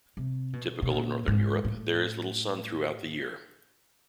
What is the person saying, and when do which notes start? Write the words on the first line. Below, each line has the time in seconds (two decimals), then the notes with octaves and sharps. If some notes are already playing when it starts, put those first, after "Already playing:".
Typical of Northern Europe, there is little sun throughout the year.
0.17 C3
0.53 B2
0.82 B2
0.90 A#2
1.27 G#2
1.65 A2